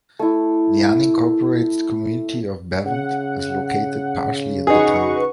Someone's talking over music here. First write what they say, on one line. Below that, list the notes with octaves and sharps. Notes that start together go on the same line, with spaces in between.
The unincorporated community of Bevent is located partially in the town.
A3 E4
C#3 F#5
D#4 F#4 G#4 B4 C#6